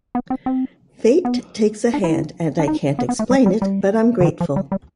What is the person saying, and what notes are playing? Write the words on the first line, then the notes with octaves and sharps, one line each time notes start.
Fate takes a hand, and I can't explain it, but I'm grateful.
B3
C4
C4
B3
D4
E4
D4
D#4
B3
B3
A3
G3
G3
G3
D3
D#3
F3
G3
G3